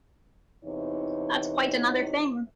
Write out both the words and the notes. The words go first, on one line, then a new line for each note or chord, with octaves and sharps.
That's quite another thing!
E2 C3 E3 D#4 C#5